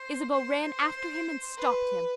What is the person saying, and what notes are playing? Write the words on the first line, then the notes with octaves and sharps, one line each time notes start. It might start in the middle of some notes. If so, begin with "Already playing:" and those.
Isabeau ran after him and stopped him.
Already playing: C5
C5
B4